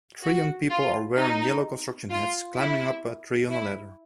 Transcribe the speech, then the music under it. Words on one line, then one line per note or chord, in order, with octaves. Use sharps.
Three young people are wearing yellow construction hats climbing up a tree on a ladder.
F#4
F4
D#4
F4
E4
E4